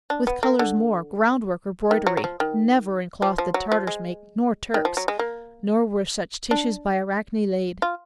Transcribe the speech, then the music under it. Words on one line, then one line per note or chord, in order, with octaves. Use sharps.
With colours more, groundwork or broidery Never in cloth did Tartars make nor Turks, Nor were such tissues by Arachne laid.
D4
B3
A#3
D3
D#3
F#3
F#3
F3
D#3
F3
F3
F#3
F3
G#3
D#3
F3
F#3
G#3
A#3
D4
F4